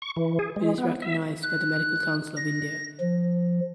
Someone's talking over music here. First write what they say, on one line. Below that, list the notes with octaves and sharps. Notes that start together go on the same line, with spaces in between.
It is recognised by the Medical Council of India.
C#6
E3
G#4
G#3
B3
E5
F#6
A#6
F3